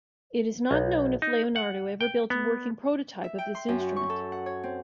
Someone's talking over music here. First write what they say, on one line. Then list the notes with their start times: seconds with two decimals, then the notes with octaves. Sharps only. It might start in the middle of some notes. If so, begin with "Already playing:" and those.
It is not known if Leonardo ever built a working prototype of this instrument.
0.71 B1
1.22 D#4
1.56 F#5
2.01 G5
2.30 B3
3.24 E5
3.38 G5
3.55 C6
3.68 F#2
3.80 F#4
3.96 C#6
4.10 A4
4.32 F#5
4.46 C#5
4.63 C4